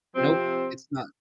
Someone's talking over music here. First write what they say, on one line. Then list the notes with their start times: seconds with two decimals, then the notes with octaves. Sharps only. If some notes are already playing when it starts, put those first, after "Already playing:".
Nope, it's not.
0.15 C3 F3 C4